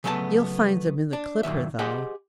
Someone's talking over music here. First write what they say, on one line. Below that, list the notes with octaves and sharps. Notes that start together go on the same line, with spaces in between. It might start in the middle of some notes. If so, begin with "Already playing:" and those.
You'll find them in the 'Clipper,' though.
C#3 F#3 A3 B3 B4 A5
D4
F#2 A#2 D#3 E5
G4 G#4 C5 D#5 F#5